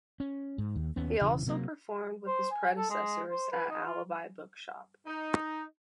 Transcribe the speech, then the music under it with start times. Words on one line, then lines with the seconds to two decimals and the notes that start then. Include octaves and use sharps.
He also performed with his predecessors at Alibi Bookshop.
0.20 C#4
0.58 G#2
0.76 D#2
0.96 D#2 B3 C#4
1.21 E1 C#3 E3
1.46 C3 F#3 A#3
2.27 C5
2.51 G#5
2.76 A4
2.90 G#3
3.31 C5
3.52 B4
3.70 D#4
3.86 F4
5.07 D#4